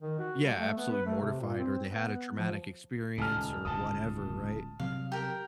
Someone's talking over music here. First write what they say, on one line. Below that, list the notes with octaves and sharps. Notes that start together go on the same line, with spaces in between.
Yeah, absolutely mortified or they had a traumatic experience, or whatever, right?
D#3
F#4
G3
A3
B3
B4
A3
C3
A#2
C4
B3
F3
D#1 C#2 A5 F6
D1 C#2 B2 A5 D#6
C3 F#3 G3 F5
G4 A#4